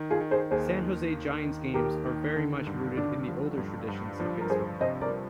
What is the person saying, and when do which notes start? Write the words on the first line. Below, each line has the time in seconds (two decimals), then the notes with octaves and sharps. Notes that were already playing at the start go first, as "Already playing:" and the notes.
San Jose Giants games are very much rooted in the older traditions of baseball.
Already playing: D#3
0.11 F4 G#4
0.21 D#3
0.31 G#4 C5
0.51 D#2 G#4 C5
0.83 D#2
1.12 A#3
1.44 D#3
1.74 D#2 G4 A#4
2.05 D#3
2.36 D3
2.67 G2
2.97 D3 D4
3.28 F3
3.58 G2
3.88 G2
4.20 F3 D4
4.41 A#4
4.50 G2 G#4 C5
4.81 C3 C5 D#5
5.01 A#4 D5
5.11 C3